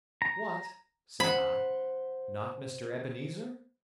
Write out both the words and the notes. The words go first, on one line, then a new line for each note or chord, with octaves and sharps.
"What?" say I; "not Mr. Ebenezer?"
A#5
C5 F#5 B5